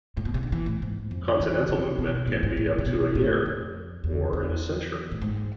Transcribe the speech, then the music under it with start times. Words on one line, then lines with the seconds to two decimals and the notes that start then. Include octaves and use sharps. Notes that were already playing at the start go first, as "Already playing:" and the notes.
Continental movement can be up to a year, or in a century.
0.17 A2
0.25 B2
0.34 C3
0.43 D3
0.52 E3
0.66 A2
0.82 G#2
1.11 F2
1.40 E3
1.69 C3
1.99 B2
2.27 A2
2.43 G#2
2.57 A2
2.78 C3
2.86 B2
3.15 A2
3.46 F2
4.04 E2
4.33 E2
5.11 A2
5.22 G#2